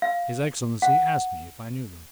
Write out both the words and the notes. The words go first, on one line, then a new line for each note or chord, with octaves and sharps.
His excellency asked me if I knew them.
F5
F#5